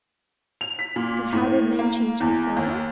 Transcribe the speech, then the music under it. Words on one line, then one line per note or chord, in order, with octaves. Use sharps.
And how did men change the soil?
F7
B6
A#2
A2
A#3
E2
D#2